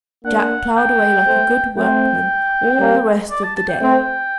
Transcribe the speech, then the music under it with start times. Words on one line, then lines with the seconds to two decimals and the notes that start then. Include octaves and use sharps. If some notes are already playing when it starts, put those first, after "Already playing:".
Jack, ploughed away like a good workman all the rest of the day.
0.25 A#3 D4 F#5
0.76 G5
1.26 A3 C4
1.77 A3 C4 G5
2.79 G3 A#3
3.30 D5
3.43 A5
3.56 A5
3.69 G5
3.81 A3 C4